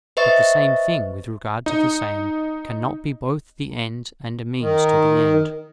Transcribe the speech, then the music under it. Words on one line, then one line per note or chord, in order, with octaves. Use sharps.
But the same thing, with regard to the same, cannot be both the end and a means to the end.
B4 C5 D#5 E5 C#6 A6
D#4
D#3